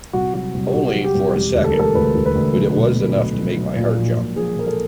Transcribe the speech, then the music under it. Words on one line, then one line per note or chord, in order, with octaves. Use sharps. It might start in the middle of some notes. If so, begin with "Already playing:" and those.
Only for a second, but it was enough to make my heart jump.
C2 F#4
F#3 F#4
C2
G4
C2 F#4
F#3
G4
C2
E1 G4
D2
A4
E1 A#4
A4
D2 B4
D2
B4
D2
B1
B2
B1
B2
F#3
F#3
A#2
A#1
A#2
F3 G#4
F3 A#4
A4